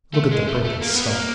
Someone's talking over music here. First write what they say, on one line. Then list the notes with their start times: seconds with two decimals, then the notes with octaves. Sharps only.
'Look at the broken scull.
0.14 A3
0.31 G#3
0.48 A3
0.65 A3
0.81 A#3
0.94 B3
1.07 A#3